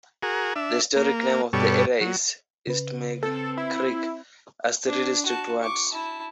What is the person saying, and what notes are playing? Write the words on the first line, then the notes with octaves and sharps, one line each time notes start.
The historic name of the area is "East Mill Creek", as three distinct words.
F#4 G#4 A#4
D4 E5
A#3
G2 B2 G3 A4 C#5
F#3
C#3 B4
C4 A4
E4
D4
F#4 A5
C#6 D6
E4 A5